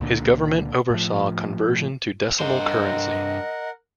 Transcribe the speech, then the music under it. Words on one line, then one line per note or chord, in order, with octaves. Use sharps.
His government oversaw conversion to decimal currency.
C#2 A#2 D3
A2 F3
G2 A#4 C5 D#5 F#5